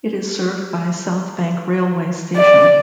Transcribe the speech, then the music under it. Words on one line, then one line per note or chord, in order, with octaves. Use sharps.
It is served by South Bank railway station.
D5